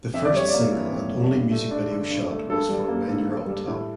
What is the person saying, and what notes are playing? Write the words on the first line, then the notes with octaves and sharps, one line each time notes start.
The first single and only music video shot was for When You're On Top.
F2 E5
D5
G3 C#5
D5
A#3
E3
F2
G3
G2
A3
D4
D3
G2
A3
G2 A4
G3
A#3
D3
G2
G3
A2